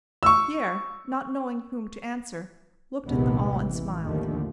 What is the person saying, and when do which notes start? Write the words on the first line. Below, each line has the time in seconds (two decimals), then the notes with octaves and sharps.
Pierre, not knowing whom to answer, looked at them all and smiled.
0.23 C#6 E6
3.07 A#1 D#2 C3 D#3 G#3 B3
3.51 A1 E3
4.04 D#2 D3 D#3 F3 A3